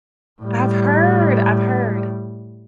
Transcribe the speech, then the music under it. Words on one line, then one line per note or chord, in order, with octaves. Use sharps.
I've heard, I've heard.
A2 G3